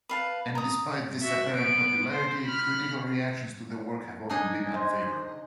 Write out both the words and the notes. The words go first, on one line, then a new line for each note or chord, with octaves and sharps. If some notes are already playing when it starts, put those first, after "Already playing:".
And despite this apparent popularity, critical reactions to the work have often been unfavourable.
B4 F5 A5
A#5 D#6
F#4 E5
B3 D7
C5
B5 F6
D4 D#4 G#4 G#5
C5 D#5